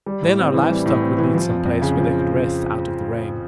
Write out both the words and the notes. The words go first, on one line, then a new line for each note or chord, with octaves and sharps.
Then our live stock would need some place where they could rest out of the rain.
G3
A2
C4
E3
G3
A2
C4
E3
F3
F2
F2
C#3
F3